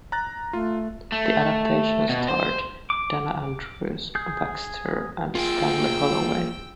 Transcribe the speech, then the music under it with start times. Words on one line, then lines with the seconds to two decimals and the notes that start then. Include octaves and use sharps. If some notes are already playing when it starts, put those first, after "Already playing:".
The adaptation starred Dana Andrews, Baxter, and Stanley Holloway.
0.12 A#5 F#6 A6
0.53 A3 F4
1.12 A3
2.09 B2
2.28 C5
2.90 D6
4.15 G#4 G6
5.35 A#3 F4 G#4 G5 E6